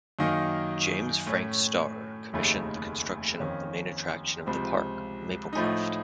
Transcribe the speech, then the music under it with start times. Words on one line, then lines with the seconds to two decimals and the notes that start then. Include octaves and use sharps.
James Frank Starr, commissioned the construction of the main attraction of the park, "Maplecroft".
0.19 F#2 D#3 A#3 D#4
1.26 A2 A3 C#4
2.33 F1 D#2 C#3 A3 D#4
3.40 F2 D#3 A#3 C#4
4.46 C#2 C3 F3 C4
5.53 A2 F3 A3 D#4